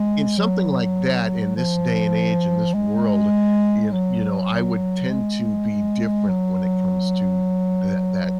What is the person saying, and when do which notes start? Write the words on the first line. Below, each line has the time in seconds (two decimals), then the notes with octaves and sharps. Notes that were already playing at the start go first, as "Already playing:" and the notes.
in something like that, in this day and age, in this world, you kn you know, I would tend to be different when it comes to tha that.
Already playing: G#3
0.38 F#3
1.56 F3
2.74 G#3
3.92 F#3
5.10 G#3
6.28 F#3